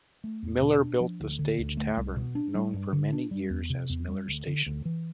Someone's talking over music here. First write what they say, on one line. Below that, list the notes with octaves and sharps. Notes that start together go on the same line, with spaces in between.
Miller built the Stage Tavern, known for many years as "Miller Station".
A3
E2
B2
D4
F3
D2
D3
D2
A3
C2
B2
D4
G3
G2
D3
D4
G3
E2
C3
E2
G3
D2
D3
D2
E3